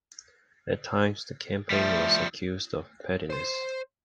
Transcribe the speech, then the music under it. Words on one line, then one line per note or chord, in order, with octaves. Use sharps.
At times the campaign was accused of pettiness.
F3 G3 A3
C5 C6